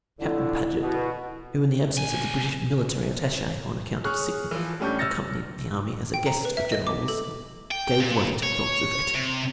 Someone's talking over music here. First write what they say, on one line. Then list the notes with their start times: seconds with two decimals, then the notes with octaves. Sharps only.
Captain Paget, who in the absence of the British military attache on account of sickness, accompanied the army as a guest of General Wilson, gave way to thoughts of etiquette.
0.20 F2 A2 D3 E4
0.81 B2
1.97 B1 G#5
4.04 G#4 C#5 C#6 F6 F#6
4.51 E3 F3
4.80 A2 G3 C#4 D4 C#6 G6
4.99 E6 F6 A6 A#6 C#7
6.14 G5
6.26 A#5
6.45 B4
6.57 E5
6.72 D#5
6.87 D6
7.08 A4
7.71 G5
8.00 A#2
8.43 C#5
9.15 C3